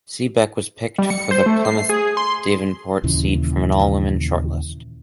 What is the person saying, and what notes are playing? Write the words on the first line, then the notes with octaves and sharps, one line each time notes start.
Seabeck was picked for the Plymouth Devonport seat from an all-women shortlist.
G3
C#7
C5
A3
C7
G#4
C6
D#2 A#2 C#3 E3